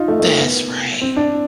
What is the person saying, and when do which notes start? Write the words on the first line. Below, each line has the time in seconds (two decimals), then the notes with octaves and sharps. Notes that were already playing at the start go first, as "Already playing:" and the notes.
That's right.
Already playing: D#4 F4
0.08 A3
0.20 A3
0.23 A#3
0.38 B3
1.01 C4
1.16 D4